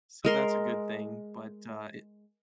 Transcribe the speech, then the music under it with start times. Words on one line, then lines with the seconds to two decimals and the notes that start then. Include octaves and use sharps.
so that's a good thing, but, uh, it
0.25 G#3 A#4 C6